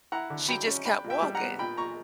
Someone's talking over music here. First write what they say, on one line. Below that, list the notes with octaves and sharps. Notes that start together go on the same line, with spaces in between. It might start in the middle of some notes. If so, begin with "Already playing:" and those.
she just kept walking,
E4 F#5 A#5
D3
F#3 G5 B5
C#4
D4 G5 B5
A#2
E5 G5
G3
F#5 A#5
B3
A#2 G5 B5
A#2 A#5 C#6